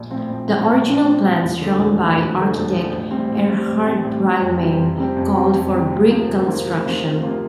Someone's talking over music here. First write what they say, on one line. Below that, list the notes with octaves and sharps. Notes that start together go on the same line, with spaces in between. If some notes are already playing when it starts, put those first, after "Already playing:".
The original plans drawn by architect Erhard Brielmaier called for brick construction.
Already playing: A#1
A2 F3 C4
A#1
A2 F3 C4
A#1
A2 F3 C4
A#1
A2 F3 C4
E1
D2 D3 F3
E1
D2 D3 F3
E1
D2 D3 F3
E1
D2 D3 F3
A1
A2 G3 C4
A1
A2 G3 C4
A1
A2 G3 C4
A1
A2 G3 C4
F2
C3 G3 C4 G4
F2
C3 G3 C4 G4
F2
C3 G3 C4 G4
F2
C3 G3 C4 G4
D2
C3 F3 A#3 F4
D2
C3 F3 A#3 F4
D2
C3 F3 A#3 F4
D2
C3 F3 A#3 F4